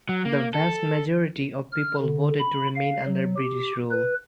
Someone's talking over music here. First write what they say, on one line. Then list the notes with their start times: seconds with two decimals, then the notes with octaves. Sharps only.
The vast majority of people voted to remain under British rule.
0.09 F#3
0.25 A#3
0.54 A4
1.72 F6
2.02 D3
2.39 B5
2.75 F5
3.06 F#3
3.36 G4
3.91 B4